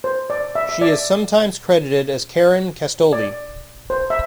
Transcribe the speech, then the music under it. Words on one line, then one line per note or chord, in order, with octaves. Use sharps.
She is sometimes credited as Karen Castoldi.
C5
D5
E5
E5
D5
D5
C5
E5